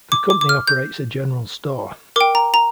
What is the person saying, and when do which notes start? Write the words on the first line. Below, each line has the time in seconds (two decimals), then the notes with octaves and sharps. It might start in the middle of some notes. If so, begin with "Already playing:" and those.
The company operates a general store.
0.12 D6
0.30 D6
0.41 D6
0.49 F6
0.67 G6
2.16 A#4 G5 D6
2.35 A#5
2.54 A#5